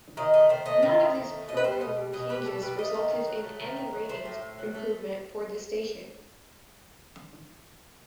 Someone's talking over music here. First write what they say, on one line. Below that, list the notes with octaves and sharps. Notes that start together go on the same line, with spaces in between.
None of these programming changes resulted in any ratings improvement for the station.
D#3 D#5
A3 D#5
D#3 C5
A3 D#5
D#3
A3
D#3
A3
B2 D#5
B4
G3 C5
B2 D#5
G3
B2 D#5
G3 B4
B2 A4
G3 B4
A3 D#5
D#3
D#3
F#3
A3
D#3
D#3
F#3
A3 C5
A2
A2
F#3
A3